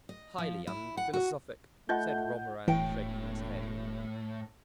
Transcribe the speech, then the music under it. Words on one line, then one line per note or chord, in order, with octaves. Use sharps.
"Highly unphilosophic," said Romarin, shaking his head.
D#5
F3
E4
F#5
F#4
A3 D#4 F4 D#5 F#5 G6
E1 A2 E3 G5